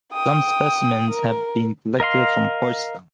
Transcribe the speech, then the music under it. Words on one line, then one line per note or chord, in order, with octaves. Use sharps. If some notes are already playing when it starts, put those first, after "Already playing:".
Some specimens have been collected from horse dung.
G5 D#6
A#4
A#4 D#5 F5 C6